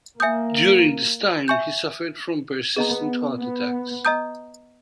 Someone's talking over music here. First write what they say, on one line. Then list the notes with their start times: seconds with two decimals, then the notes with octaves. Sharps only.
During this time, he suffered from persistent heart attacks.
0.20 A#3 E5 G#5 D#6 G6
1.48 E5 G#5 C#6 G6
2.76 B3 G#4 D#5 A#5
3.40 B3
4.05 D#5 A#5 D#6 G6